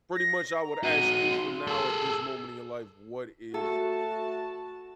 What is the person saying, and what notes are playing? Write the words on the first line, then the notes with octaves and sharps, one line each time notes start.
pretty much I would ask you for now at this moment in your life, what is
A#6
A#5
D#4 F#4 D#7
C6
G#4 A4 E6
A3 F#4 A4 A5